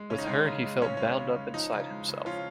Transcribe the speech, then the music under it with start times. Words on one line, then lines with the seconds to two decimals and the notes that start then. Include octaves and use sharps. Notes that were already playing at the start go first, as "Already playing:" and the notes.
With her he felt bound up inside himself.
Already playing: G#3
0.10 C#3 C#4
0.19 D#4
0.26 G#3 C#4
0.46 C#3
0.64 G#3
0.82 C#3 C#4
0.97 G#3 C#4
1.18 C#3
1.36 G#3
1.54 F3 D#4
1.72 C#3
1.90 G#3
2.09 C#3
2.26 F3 C#4 F4